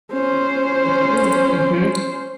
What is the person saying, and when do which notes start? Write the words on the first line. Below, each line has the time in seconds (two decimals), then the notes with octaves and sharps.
Mhm, mhm.
0.12 C#4 C5